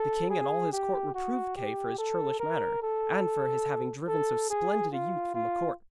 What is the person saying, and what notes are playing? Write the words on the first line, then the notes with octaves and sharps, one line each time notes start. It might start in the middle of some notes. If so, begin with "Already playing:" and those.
The king and all his court reproved Kay for his churlish manner, and for his having driven so splendid a youth from the court.
Already playing: A4
G#4
G4
F#4
G4
A4
A#4
A4
A4
G#4
F4
F4